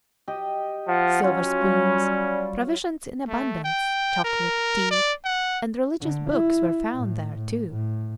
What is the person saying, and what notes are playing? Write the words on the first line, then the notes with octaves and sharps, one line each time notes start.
Silver spoons, provisions in abundance, chocolate, tea, and religious books were found there too.
G4 D#5
F3 F#5
F#3 C#4 F4
G3 C#5
A3
G5
A#4
D5
F#5
D3
E4
A2
A2
A2